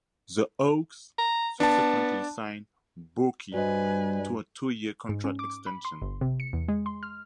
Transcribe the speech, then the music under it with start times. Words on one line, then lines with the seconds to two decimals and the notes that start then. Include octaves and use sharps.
The Hawks subsequently signed Bourque to a two-year contract extension.
1.18 A#5
1.60 B3 D4 A5
3.54 G2 G3 F#4 B4 C5 D#5 G#5
5.09 G#2
5.24 C#4
5.39 D6
5.67 B5
5.85 C6
6.02 G1
6.21 C3
6.40 C#7
6.53 E2
6.68 G#3
6.86 C6
7.03 F6